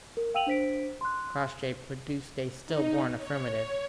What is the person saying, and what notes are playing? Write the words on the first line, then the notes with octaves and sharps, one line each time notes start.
Crossjay produced a still-born affirmative.
A#4
F5 G5 E6 D#7 F7 F#7
D4 C5 B6 D7
C6 F#6
D#4
C#5